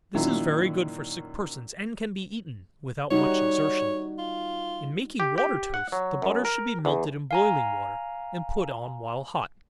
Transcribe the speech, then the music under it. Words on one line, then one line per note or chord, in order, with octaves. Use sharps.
This is very good for sick persons, and can be eaten without much exertion. In making water-toast, the butter should be melted in boiling water, and put on while hot.
F#2 A#2 D#3 F#3 E4
G3 D#4 F#4 C#5
F4
G4
G4
F#5
F#3
F#2
A#4
E2
F5 G#5 A#5